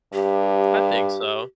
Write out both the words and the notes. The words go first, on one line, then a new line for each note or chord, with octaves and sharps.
I think so.
G2 G4